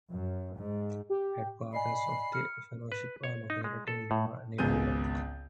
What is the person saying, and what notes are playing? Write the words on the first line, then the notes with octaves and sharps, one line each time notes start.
Headquarters of the fellowship are located in Lima, New York.
F#2
G#2
G4
D5 D#5 G#5 B5 C7
F6 C#7
B4
C#5
D#4
G#3
A4
A2
G#1 C#2 B3 G#4 G6 D#7